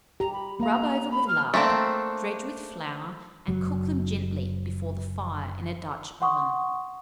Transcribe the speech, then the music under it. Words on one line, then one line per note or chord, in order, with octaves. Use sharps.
Rub over with lard, dredge with flour, and cook them gently before the fire in a Dutch oven.
G4 A#5
B5
A#3 F5 A#5
B5
F6
A3 A#3 C4 D4
F#1 F#3
F#5 C6 C#6 D#6